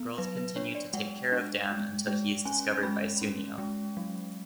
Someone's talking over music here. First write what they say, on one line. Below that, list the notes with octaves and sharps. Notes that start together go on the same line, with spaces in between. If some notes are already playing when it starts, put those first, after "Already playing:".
The girls continue to take care of Dan until he is discovered by Tsuneo.
Already playing: B3
F#3 B4
B4
D4 C#5
D5
G#3 F#5
D4
G#3
G#3
C#4 G#5
G#3 B5
C#4
G#3
F#3